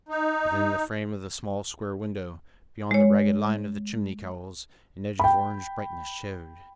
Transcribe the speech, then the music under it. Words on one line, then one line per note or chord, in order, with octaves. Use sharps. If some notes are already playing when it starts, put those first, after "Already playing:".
Within the frame of the small square window, beyond the ragged line of the chimney-cowls, an edge of orange brightness showed.
D#4
G#3 C#5
G5 B5